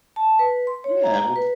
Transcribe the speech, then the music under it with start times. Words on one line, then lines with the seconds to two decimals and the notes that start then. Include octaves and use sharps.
Yeah, well
0.16 A5
0.39 B4
0.67 C6
0.84 C#5
1.03 A#5
1.36 B4